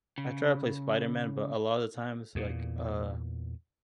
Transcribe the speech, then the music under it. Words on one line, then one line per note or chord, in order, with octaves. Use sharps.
I try to play Spider Man, but a lotta the times, like, uh,
C#3
E2 A#2